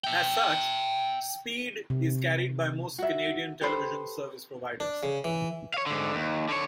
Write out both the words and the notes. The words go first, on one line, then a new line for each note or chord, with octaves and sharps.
As such, Speed is carried by most Canadian television service providers.
E5 G5
C3
F#4 E5
G4 A4 B4 C5
D4
C#3
E3
C#5 F5
G#2 D3
D#2
D3 C#5